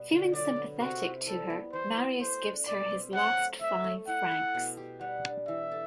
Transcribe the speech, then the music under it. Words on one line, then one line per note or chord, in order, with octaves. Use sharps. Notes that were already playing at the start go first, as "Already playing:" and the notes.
Feeling sympathetic to her, Marius gives her his last five francs.
Already playing: B2 G3 B3
D3
F#3 D5
B3
C3 F#4
E4
G3 A4
B3
E3 C5
F#4
A3 C5
D4
B2 D5
C4
F#3 F#5
A3
A3 E5
A3
E4 F#5
A4
B2
G4
G3 F#5
D4
E3 E5
A4